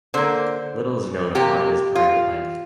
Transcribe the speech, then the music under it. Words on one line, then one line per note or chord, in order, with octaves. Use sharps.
Little is known of Hodge's private life.
D3 A#3 C5
C3 A#3 G4
F4